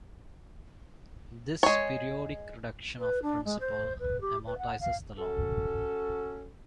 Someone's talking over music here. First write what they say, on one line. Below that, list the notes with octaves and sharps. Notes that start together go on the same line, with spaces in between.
This periodic reduction of principal amortizes the loan.
G#3 C#5
B4
D4
G#3
C5
B4
G4
B4
F#5
F5
C#4 F#4 A4